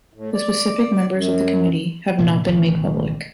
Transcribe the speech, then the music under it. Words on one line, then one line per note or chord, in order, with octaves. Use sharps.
The specific members of the committee have not been made public.
A2
D5
F#2
F1 A#2 E3 F3
E1 A1 D#3 E3